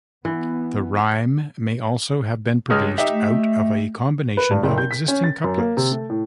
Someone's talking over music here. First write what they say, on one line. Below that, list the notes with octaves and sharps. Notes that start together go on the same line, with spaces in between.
The rhyme may also have been produced out of a combination of existing couplets.
E3 B3
C#2 G#3 F6
D#4 G4 E5
A3
B4
G2
F#1
G6
B6
C#4
A6
F#2
A#3
C3
A3
A2